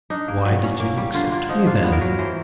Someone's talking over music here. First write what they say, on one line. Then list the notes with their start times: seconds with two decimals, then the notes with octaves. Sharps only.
"Why did you accept me then?"
0.10 D4 D#4
0.28 A#3
0.45 F#3
0.63 C#4
0.80 A#3
0.97 G3
1.14 D3 F4
1.32 A#3 F4
1.49 F3 D#4
1.66 D4 F4
1.83 B3
1.92 A#4
2.01 F#3
2.18 E3 C5